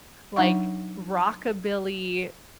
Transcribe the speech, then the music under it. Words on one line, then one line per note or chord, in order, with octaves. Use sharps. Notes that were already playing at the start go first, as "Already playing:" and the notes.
like, rockabilly
F#3 D4 D#4 E5 F#5 C#6